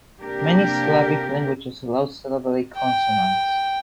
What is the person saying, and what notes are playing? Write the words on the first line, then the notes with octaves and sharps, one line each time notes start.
Many Slavic languages allow syllabic consonants.
C3 A#3 D4 G4 A#4
G5